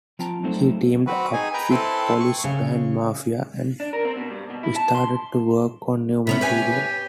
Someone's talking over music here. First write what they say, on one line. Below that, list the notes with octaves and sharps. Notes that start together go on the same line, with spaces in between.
She teamed up with Polish band Mafia and started to work on new material.
F3 C4 F4 G5 A5 A#5
F#3 A3 C4 D#4 A4 C5
C4 F#4 B4
D#4 G#4 G#5
B4 G5 A#5
C4 E4 A4 B4 C6
C#6
C#3
D4
A#4
C4
B2
G2
B2
E4
A5
C6
C3 B3 C#4 B5
G4 B4 C#5 G#5